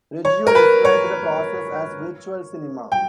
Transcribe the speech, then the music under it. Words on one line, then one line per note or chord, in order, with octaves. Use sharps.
Reggio described the process as "virtual cinema".
C#5
A#4
B4
C#5
G5